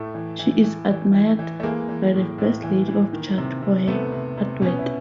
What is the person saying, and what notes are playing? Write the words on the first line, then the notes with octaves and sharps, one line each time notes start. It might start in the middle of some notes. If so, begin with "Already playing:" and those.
She is admired by the first lady of Chad for her hardwork.
Already playing: A2 A3
E3
E3
E3
E3
E3
E3
A3
E3 G#3 A#3
E3
A2
A2
E3
E3
D#3
C3
C3
C3 A3 B3
C3
C3
B2 B3 C#4
E4